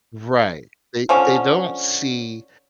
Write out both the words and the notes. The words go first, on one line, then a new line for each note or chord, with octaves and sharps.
Right, they they don't see
D3 F3 C#4